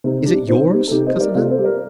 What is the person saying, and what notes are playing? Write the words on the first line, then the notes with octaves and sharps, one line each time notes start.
"Is it yours, Cousin Helen?"
C3 C4 D#4
G3 D4
C3 C4 D#4
G3
A4
C3 D#4 G4
C5 D#5
G3
A#4 D5
C3 F4 A4
A4 C5
G3
A#4 D5